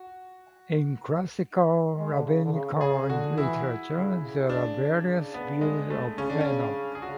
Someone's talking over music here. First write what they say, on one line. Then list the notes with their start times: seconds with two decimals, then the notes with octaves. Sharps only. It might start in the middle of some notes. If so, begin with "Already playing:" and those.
In classical Rabbinical literature, there are various views of Enoch.
Already playing: F#4
1.96 G#3
2.14 D3
2.25 C#3
2.44 D3
2.53 C#3
2.73 D3
2.81 C#3 G#4
3.01 C#3
3.09 D3 F#4
3.37 E3 E4
3.93 C#3
4.21 C#3
4.49 D4
5.34 B3
5.61 G#3
5.90 A3
6.18 C#3 C#4
6.30 D3 D4
6.40 C#3 C#4
6.95 G#4
7.02 C#3 F#4